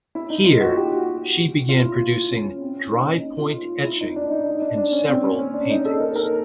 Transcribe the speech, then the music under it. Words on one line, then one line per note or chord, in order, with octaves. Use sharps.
Here she began producing drypoint etchings and several paintings.
E4
D#4
F4
F#4
G4
F#4
F4
E4
C#4
C4
C#4
D#4
D#4
F4
E4
D#4
D4
D#4
D#4
D4
D4
C#4
C4
C#4
C#4
D4
D#4
A4
A#4
A#4